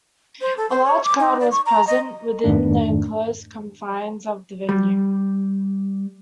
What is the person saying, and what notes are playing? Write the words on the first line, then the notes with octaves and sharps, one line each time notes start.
A large crowd was present within the enclosed confines of the venue.
C5
A4
C5
C#5
D6
D#4
D5
C#6
A#5
D#5
F2 G#2 D#3 A3 D4
G3